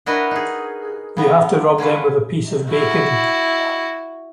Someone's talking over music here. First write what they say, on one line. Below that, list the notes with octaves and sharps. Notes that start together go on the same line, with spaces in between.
You have to rub them with a piece of bacon.
D4 E4 F#4 A#4 B4 D#5
D#4 G#4
C#3 B3 A#5
D3 C#4 F4 B4
E4 F#4